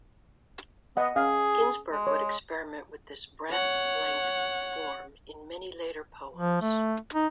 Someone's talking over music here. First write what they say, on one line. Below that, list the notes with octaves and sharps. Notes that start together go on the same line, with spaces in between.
Ginsberg would experiment with this breath-length form in many later poems.
B3 D#5 F#5
C#4 G#4 F5
G#3
C#5
C#5 F#5
F3
A3
D#4